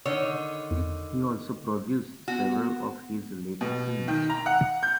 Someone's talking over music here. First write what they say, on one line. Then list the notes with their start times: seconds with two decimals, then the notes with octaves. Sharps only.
He also produced several of his later films.
0.05 D3 D#3 C#5
2.28 B3 F#4
3.61 B2
4.08 D#3
4.30 A#5
4.46 F#5
4.83 G6